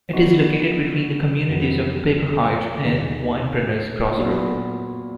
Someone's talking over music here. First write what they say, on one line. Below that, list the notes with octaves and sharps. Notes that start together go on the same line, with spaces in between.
It is located between the communities of Baker Heights and Winebrenners Crossroad.
D3 F3 B3 D#4 F#4
F2 D#3 F#3 B3
D#2 D#3 A#3 D#4 G#4
A#2 F#3 B3